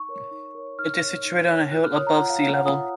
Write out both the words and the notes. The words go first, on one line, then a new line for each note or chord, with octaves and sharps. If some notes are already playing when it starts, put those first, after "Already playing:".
It is situated on a hill above sea level.
Already playing: D#4 C#6
A#4 C#5
D#4
A#4 C#5
D#4 F6
A#4 C#5
D#4
A#4 C#5
F4 F#6
F6
A#4 C#5 D#6
A#5
F4 F#5
F5
A#4 C#5 F5
F#5
F4 D#6